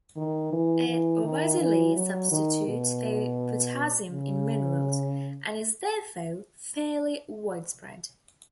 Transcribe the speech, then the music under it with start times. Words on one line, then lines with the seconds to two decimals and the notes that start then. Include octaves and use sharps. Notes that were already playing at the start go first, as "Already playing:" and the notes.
It readily substitutes for potassium in minerals, and is therefore fairly widespread.
0.17 D#3
0.53 E3
0.89 E3
1.24 D#3
1.60 E3
1.96 F#3
2.32 D#3
2.67 B2
4.11 C#3